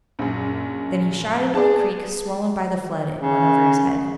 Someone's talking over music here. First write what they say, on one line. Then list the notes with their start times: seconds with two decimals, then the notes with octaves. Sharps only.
Then he shot into a creek, swollen by the flood, and went over his head.
0.19 A#1 F#2
1.55 G#4 D5 A5
3.20 C#3